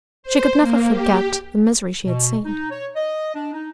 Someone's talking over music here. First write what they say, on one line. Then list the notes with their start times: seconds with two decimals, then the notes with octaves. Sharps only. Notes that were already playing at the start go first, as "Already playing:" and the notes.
She could never forget the misery she had seen.
0.23 C5
0.60 A#3
0.89 G4
2.06 B2
2.45 D#4
2.71 C#5
2.96 D#5
3.35 D4
3.53 D#4